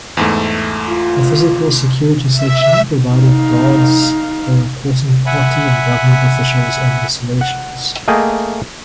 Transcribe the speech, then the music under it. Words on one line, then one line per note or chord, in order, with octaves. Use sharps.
The physical security section provided guards for important party and government officials and installations.
E2 G#2 A3
F4
E5
D#4 F5
E5 F#5 G#5 B5
F#5
A3 A#3 G#4 D#5 G5